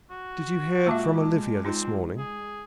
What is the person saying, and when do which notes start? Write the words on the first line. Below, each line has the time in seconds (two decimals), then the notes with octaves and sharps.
"Did you hear from Olivia this morning?"
0.11 F#4
0.87 A#2 G#3 A#3 E5 A5 D6
1.65 C4 D#4 F4
2.18 G#4